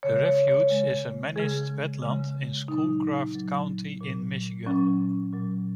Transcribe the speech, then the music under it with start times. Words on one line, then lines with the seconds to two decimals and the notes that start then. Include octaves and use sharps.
The refuge is a managed wetland in Schoolcraft County in Michigan.
0.03 C#3 G#3 C#5
0.26 C#5
0.48 C#5
0.70 C#3 G#3
1.36 C#3 G#3 G#4
2.03 C#3 G#3
2.68 A#2 F#3 D#4
3.34 A#2 F#3
4.01 A#2 F#3
4.66 A#2 F#3 C#4
5.33 A#2 F#3